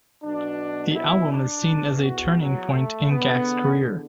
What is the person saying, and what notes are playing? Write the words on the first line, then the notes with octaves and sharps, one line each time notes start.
The album is seen as a turning point in Gackt's career.
B1 B2 D4
E4
D4
E2 E3
F#4
F#3
A3
E2 D3 B3